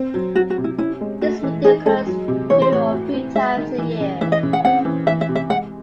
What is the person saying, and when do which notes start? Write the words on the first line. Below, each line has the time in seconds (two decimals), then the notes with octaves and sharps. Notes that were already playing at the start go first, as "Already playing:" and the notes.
This meeting occurs two or three times a year.
Already playing: C4
0.14 F#3
0.35 F#3 F#4
0.50 F#4
0.58 C3
0.64 E4
0.78 C#4 E4
1.01 G#3
1.21 A3 F#4
1.43 E3
1.64 D#4 G#4
1.86 G#3 A4
2.07 F#3
2.28 C3
2.50 E3 C#5
2.62 C5
2.72 A2 C#5
2.93 F#4
3.14 C4
3.36 G#3 E5
3.57 D#3
3.78 E3
4.00 C#3
4.21 E3 E5
4.32 D#5
4.43 C#3
4.53 F#5
4.65 C4 F#5
4.85 E3
5.07 E3 E5
5.21 E5
5.29 C3
5.35 E5
5.50 G#3 F#5